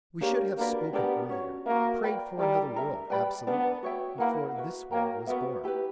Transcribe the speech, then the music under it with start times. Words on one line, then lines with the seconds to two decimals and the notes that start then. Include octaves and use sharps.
We should have spoken earlier, prayed for another world absolutely, before this world was born.
0.21 A#3 D4 G4 C#5
0.58 A#3 D4 F#4 B4 D5
0.93 B3 D4 G4 A#4 D5
1.29 C#4 F#4 C#5
1.66 A#3 F#4 A#4 E5
2.03 B4 D5 G5 B5
2.38 G3 E4 A#4 D5 A#5
2.74 D4 A#4 E5
3.10 G3 B4 D5 G5 B5
3.47 B3 D4 A#4 D5
3.83 F#4 C#5 E5 G5
4.19 A#3 E4 B4 F#5 B5
4.56 F#4 B4 E5
4.91 A#3 F#4 C#5 G5 A#5
5.27 B3 F#4 A#4 E5
5.64 E4 G4 B4